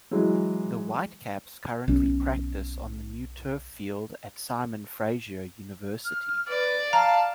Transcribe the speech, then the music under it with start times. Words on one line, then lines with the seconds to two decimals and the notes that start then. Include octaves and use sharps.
The Whitecaps currently practise on the new turf field at Simon Fraser University.
0.11 E3 F#3 G#3
1.88 B1 C#4
6.05 F6
6.48 B4 D5
6.93 F5 A5 A#5